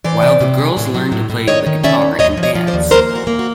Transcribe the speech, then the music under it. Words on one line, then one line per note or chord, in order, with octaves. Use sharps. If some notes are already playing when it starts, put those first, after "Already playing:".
While the girls learned to play the guitar and dance.
E3 C5 D5
C3
C3
G#3
A2
F#3
A2
A2
D#3 C#5 D#5
D#3
C#4 D5 E5
D#3
D#2 C#5 D#5
F3
C#5 D#5
F3
C5 D5
D#2
A#3 A#4 C5
E2
F#4
A#3
F#4